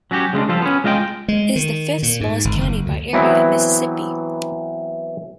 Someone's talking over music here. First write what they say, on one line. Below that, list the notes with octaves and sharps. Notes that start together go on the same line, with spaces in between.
It is the fifth-smallest county by area in Mississippi.
F#3 C#4 F#4 G4
C#3 G#3 C4 D4
F3 G3 F4 A4
B3 C#4
G#3 F4 D#5 E5 G5
G#3
D#3
A#2
G#2
G#1
F#1
D2
E3 F#3 B3 C4 E4